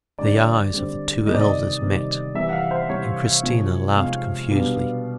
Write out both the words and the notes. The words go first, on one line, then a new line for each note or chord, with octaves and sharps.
The eyes of the two elders met, and Christina laughed confusedly.
D3 G3 C4 D5
D3 G3 C4
C3 D#3 G3 D#5
D5
D#5
C3 D#3 G3
C3 E3 G3 E5
F#5
F5
C5
C3 E3 G3 C#5
C3 F3 G#3
C3 F3 G#3 F5
B2 G3 B3 D4